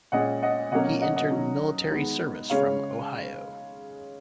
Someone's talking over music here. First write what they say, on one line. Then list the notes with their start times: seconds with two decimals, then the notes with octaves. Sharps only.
He entered military service from Ohio.
0.12 A#2 G#3 C#4 D#5 F#5
0.42 D#5 F#5
0.71 B2 F#3 A#3 C#4 D#5 F#5
1.02 D#5 F#5
1.16 D#5 F#5
1.31 D#3 F#3 C#4
1.91 D#3 G#3 B3
2.50 C#3 G#3 C#4 C#5 F5